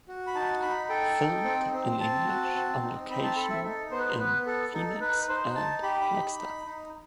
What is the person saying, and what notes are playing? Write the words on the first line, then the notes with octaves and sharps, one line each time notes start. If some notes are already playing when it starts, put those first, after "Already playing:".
Filmed in English on location in Phoenix and Flagstaff.
F#4
B5
D#4 A5
D#4 B5
A4 G5
D#4
C4
C4
C4 A5
F#4
C4
D#4
C4 B5
A5
A4 B5
E5
D#4 A4
B3 C5
B4
C5
B3 B4
A4
D#4 A4
D#4 B4
B4
D#4 C5
D#4 A5
G4 B5
B5
D#4
D#4
D#4